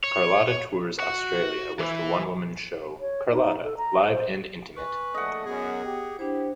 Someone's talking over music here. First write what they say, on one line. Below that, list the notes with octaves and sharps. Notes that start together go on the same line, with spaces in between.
Carlotta tours Australia with her one-woman show "Carlotta: Live and Intimate".
C#5
F#4
E3
C#5
D#4
A4
A#5
C5
B4 G#5 C#6
A#1 A3 D#5 F#5
F#2 B3 G#4
G4
D4 E4 G4 C5